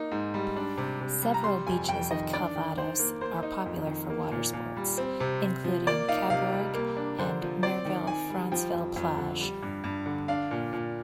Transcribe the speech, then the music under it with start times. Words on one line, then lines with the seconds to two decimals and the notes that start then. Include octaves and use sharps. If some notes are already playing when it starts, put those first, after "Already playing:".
Several beaches of Calvados are popular for water sports, including Cabourg and Merville-Franceville-Plage.
Already playing: A#3 D#4
0.11 G#2
0.34 G3
0.56 D4
0.78 C3
1.01 C3
1.23 G3
1.34 A#5
1.44 G3 C6
1.67 F2 G#5
1.89 F2 G5
2.11 D#3 D#5
2.33 D4 D5
2.56 D#3
2.77 D#3 C5
2.99 A#3
3.21 A#3 C5
3.43 D#4
3.66 F2
3.87 D#3
4.10 A#3
4.31 A#2
4.53 A#2
4.77 G3
4.98 C4
5.20 C3
5.43 C3
5.64 F3
5.87 A#3 D5
6.08 D#4 F5
6.30 C3 F5
6.52 G3
6.74 A#3
6.97 D4
7.19 D3 C5
7.42 F3
7.63 C4 D5
7.85 D#3
8.07 D#3 G#5
8.30 G3
8.52 F3 G5
8.73 F2
8.96 F2
9.17 D3
9.41 G3
9.63 G2
9.84 G2
10.06 D3
10.28 D4 F5
10.51 A#2
10.73 A#2